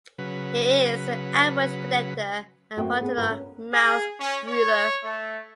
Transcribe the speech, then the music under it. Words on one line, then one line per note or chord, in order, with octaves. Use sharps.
It is an ambush predator and paternal mouthbrooder.
C#3 F#3 B4
F#2 A3 A#3 C4 F#4 G5
B3 C4 G#4
G2 D3 F4 A#4 B4
C#4
G#4
C#4
C#5
A3